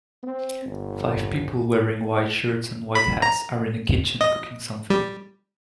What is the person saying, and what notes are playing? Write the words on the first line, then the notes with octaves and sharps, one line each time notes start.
Five people wearing white shirts and white hats are in a kitchen cooking something.
C4
G1
B5
A#5
D#5
G3